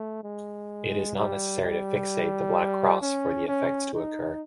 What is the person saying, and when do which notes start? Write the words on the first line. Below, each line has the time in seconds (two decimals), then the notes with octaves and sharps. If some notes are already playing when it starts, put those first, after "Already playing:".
It is not necessary to fixate the black cross for the effects to occur.
Already playing: A3
0.24 G#3
1.15 G3
1.62 G3
3.01 C#4
3.48 C#4
3.93 D#4